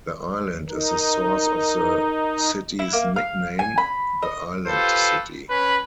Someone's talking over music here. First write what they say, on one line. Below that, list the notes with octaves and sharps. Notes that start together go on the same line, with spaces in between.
The island is the source of the city's nickname, The Island City.
D#4 A#4
E4
A#3
F5
G#5
B5
D#5
F4 G4 A4 B4 C5
C#4 B4 B5